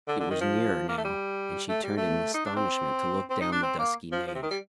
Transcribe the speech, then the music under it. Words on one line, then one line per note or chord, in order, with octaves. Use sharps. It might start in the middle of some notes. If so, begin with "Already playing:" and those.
It was nearer now; and she turned in astonishment to look down the dusky nave.
D3
D3
D#3
F3
A#3
A3
G3
A3
G3
A3
D#4
D4
C4
C4
D#4
D4
C4
A#3
F3
F3
C3
D#3
G3